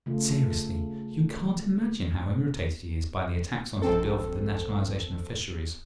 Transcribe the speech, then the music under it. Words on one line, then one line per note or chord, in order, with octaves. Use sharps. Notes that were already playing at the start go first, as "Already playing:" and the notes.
But seriously, you can't imagine how irritated he is by the attacks on his Bill for the Nationalisation of Fisheries.
C#3 A3 F4
A#1 C4 A4